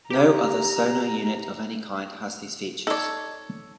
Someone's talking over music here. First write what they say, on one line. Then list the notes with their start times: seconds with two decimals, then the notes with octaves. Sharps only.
No other sonar unit of any kind had these features.
0.10 G4 A#5
2.87 D#4 A4 C#5 D5